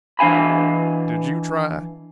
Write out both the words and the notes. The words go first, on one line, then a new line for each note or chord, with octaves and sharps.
Did you try?'
E3 D4 F5 G#5 B5